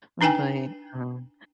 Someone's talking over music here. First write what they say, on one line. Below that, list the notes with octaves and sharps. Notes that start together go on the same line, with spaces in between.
but, um,
D4 D#4 B4 G5 G#5